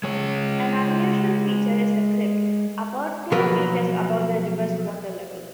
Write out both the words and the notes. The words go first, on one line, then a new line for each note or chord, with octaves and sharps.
An unusual feature is the crypt, about two metres above the river's water level.
G#3 C#5
B2 F3 F#3 A#3 A#4 B4